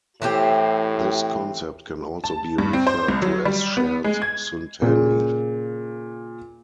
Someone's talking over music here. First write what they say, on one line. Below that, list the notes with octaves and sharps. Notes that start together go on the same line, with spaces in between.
This concept can also be referred to as shared synteny.
A2 E3 C4 G4
A5
G2
C4
C5
C2
F#3
G3
B3
G#3
G#6
A#2 C#3